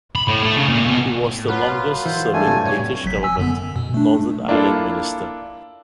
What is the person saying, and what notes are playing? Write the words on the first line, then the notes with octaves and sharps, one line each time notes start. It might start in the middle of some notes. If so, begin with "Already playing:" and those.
He was the longest serving British government Northern Ireland minister.
B5
A2
A3
C#3
A#2
B2
A2
F#2 F4 B4 F6
E3 C5
G2 A3 G#5
F#2 C3
A2 C#5 G#5
G1 F#3 B6
G#5 E6
F#2 D3 B3
F#2
B2
A3 D4
A#3 D4 E4 F4 A4